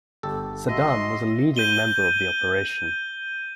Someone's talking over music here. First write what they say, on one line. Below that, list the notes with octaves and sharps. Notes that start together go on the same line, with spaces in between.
Saddam was a leading member of the operation.
G1 G4 A4
F#4 D#5 E5 C6
G6 D#7 G7